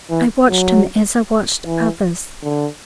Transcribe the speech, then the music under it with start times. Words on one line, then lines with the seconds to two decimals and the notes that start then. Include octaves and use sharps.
I watched him as I watched others.
0.10 E3
0.49 F#3
1.66 E3
2.43 D3